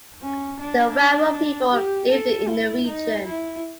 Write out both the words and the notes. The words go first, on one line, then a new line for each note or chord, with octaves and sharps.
The Warao people live in the region.
C#4
D4
G4
A4
E4
D#4
E4